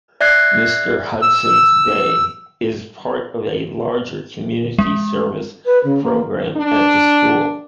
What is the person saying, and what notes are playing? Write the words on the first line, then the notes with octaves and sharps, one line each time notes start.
Mr. Hudson's Bay is part of a larger community service program at the school.
D5 E5 F#6 G#6 C7
E6
G#3
B4
C#3
A#3
D4